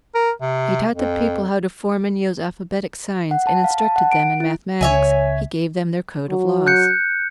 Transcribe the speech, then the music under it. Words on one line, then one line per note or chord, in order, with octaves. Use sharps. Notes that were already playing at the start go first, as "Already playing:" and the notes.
He taught the people how to form and use alphabetic signs and instructed them in mathematics: he gave them their code of laws.
A#4
C3
F2
F#5
A5
F5
A5
F#5
D7
E4
C#2 C#5 E5 G#5
F#3
F#6 G6 C#7